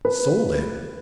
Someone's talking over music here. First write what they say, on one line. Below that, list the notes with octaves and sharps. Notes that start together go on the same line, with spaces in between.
Sold it!
B4